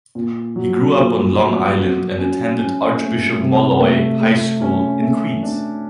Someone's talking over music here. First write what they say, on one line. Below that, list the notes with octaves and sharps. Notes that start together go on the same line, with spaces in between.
He grew up on Long Island and attended Archbishop Molloy High School in Queens.
A#2
F#3
A#2
F#3
F#4
C#4
C#4
A3
C3
A3
A3
C#4
A3
D4